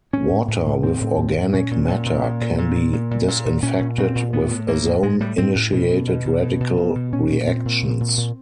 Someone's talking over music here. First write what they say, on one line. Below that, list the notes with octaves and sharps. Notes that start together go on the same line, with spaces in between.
Water with organic matter can be disinfected with ozone-initiated radical reactions.
A2 C#4
A2
A2
A2
A2 C4
A2
A2
A2
A#2 C#4
A#2
A#2
A#2
A#2
A#2
A#2
A#2
A#2
A#2
A#2
A#2
A#2 C#4
A#2
A#2 C4
A#2
A2 B3
A2
A2 A#3
A2
A2 G#3
A2 G3
A2 C4
A2
B2
B2
B2
B2
B2
B2
B2
B2
A#2 C#4
A#2
A#2 C4
A#2
A#2
A#2
A#2